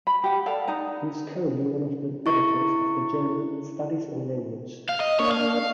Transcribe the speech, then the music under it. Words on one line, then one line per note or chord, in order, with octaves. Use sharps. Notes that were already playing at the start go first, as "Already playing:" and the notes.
He is currently one of the editors of the journal "Studies in Language".
B5
G4 F#5
A4 D5 F5 F#5
D#4 F#5 A#5
E4 C#6
F5
D#5
A#3 D4 C#5
F5